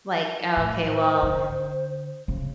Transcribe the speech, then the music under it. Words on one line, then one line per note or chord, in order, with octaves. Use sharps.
like, oh, okay, well,
A2
C5
D3
C#3